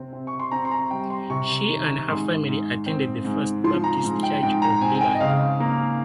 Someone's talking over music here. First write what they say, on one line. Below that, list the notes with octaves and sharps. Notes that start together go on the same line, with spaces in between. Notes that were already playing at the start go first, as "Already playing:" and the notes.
She and her family attended the First Baptist Church of Leland.
Already playing: C3 C4
C4
C#6
C6
C4 A#5
C6
A#5
G3 G5
C6
C3 C#6
D#3
G#2 C6
G#2
C4
G#2
F3 C6
A#5
G#2
G5
G#2 G5
A#5
C4 G#5
G#5
G5
D#5
C#3 F5
A#3